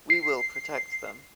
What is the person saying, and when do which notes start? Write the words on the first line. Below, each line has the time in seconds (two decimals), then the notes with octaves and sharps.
We will protect them.
0.10 C7